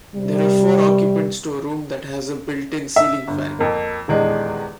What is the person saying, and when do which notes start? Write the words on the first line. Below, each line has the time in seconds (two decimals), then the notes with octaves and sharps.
There are four occupants to a room that has a built in ceiling fan.
0.15 C3 G3
2.96 E5
3.28 G1
3.59 F2 A#3
4.08 D#1 E2 G#3 D4